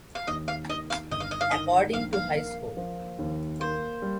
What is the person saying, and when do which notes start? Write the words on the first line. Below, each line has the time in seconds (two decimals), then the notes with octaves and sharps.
According to High Score!
0.15 F5
0.27 D#2 D#5
0.48 F5
0.69 D#3 D#5
0.90 F5
1.11 G1 D#5
1.20 F5
1.31 D#5
1.41 F5
1.51 D#3 D#5
1.93 A#1 F5
2.13 F5
2.36 A#3
2.77 F3
3.19 D#2
3.60 A#3 C5
4.02 G3